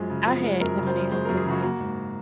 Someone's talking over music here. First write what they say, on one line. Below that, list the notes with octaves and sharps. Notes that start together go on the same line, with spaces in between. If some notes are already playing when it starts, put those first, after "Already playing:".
I had M&M's today.
Already playing: F#2 F3 G#3
C#3
F3
G#3
F#2 A#4
C#3
C5
F3
G#3 C5
F#2 A#4
G#4
C#3 F#4
A#3 F#4
G#2